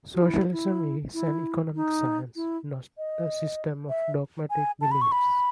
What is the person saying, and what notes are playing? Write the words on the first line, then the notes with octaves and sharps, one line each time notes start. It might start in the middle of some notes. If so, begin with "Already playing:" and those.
Socialism is an economic science, not a system of dogmatic beliefs.
F#4
E4
E4
E4
D#4
E4
D#5
E5
G#5
A5
B5
C#6
B5